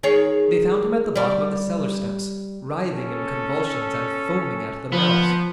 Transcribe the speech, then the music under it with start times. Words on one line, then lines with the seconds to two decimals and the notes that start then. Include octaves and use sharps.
They found him at the bottom of the cellar steps, writhing in convulsions and foaming at the mouth.
0.03 D#3 G#4 C#5
1.16 G3 D5
2.92 C#4 A4
4.92 F3 B3